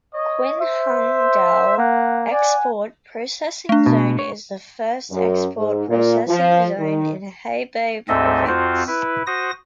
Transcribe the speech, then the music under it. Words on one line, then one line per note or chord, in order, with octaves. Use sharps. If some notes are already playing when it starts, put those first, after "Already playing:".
Qinhuangdao Export Processing Zone is the first export processing zone in Hebei Province.
C#5 D#5
C5 E5
A#3 F#5
D5 F#5 G#5
A3 D4
B2
C#5
F#2
G#2
A#2
F3
D#3
D2 G#2 C4 A4 D#5 E5
F2 C4 F4 F#4 C5
E4 B4
F#4 C5 D#6 A#6